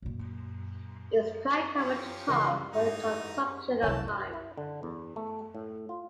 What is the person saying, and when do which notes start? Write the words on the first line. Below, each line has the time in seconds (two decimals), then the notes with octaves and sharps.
It is quite common to talk about the consumption of time.
0.02 F#2 A#2
1.77 E3 F3 C#4 G4 B5
2.28 C#2 E3 A#4 D#5 C7
2.48 G3 F5
2.72 G#2 E3 D#4
3.82 C2 F#2 C#5 G#5 A5
4.33 E4
4.57 D3
4.83 E2
5.16 A3
5.55 A2
5.89 F4